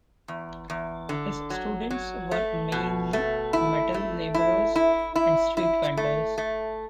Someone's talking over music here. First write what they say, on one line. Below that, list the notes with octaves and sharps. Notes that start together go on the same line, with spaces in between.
His students were mainly metal labourers and street vendors.
E2
E2
D3
F#3
F#3
A3
B2
A3
E4
A3
E4
E4
E4
E4
A3
A3